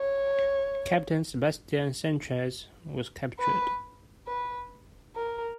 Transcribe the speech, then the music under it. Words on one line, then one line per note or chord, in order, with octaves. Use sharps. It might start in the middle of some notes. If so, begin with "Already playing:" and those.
Captain Sebastian Sanchez was captured.
Already playing: C#5
B4
B4
A#4